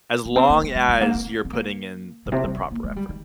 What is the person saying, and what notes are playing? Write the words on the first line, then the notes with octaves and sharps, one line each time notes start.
as long as you're putting in the the proper effort.
A#3
C4
A#3
G#3
G#3
G#3
A#3
C4
C4
A#3
A#2
C3
G3
C4
A#3
G#3
G3
D#3